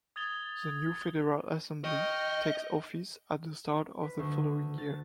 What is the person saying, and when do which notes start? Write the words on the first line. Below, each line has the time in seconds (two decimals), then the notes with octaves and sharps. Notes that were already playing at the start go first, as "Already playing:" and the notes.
The new Federal Assembly takes office at the start of the following year.
0.16 D#6 G#6 A6 F7 G7
1.84 D#5 G5 C#6 F6
4.03 B4
4.19 D2
4.78 A6